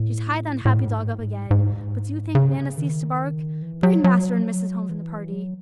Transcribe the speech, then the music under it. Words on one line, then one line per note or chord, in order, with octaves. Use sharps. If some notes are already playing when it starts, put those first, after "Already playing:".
She tied the unhappy dog up again, but do you think Nana ceased to bark? Bring master and missus home from the party!
Already playing: A2
A2
G#2
G#2
C#3
D#3
E3
F#3
F#3
E3
F#3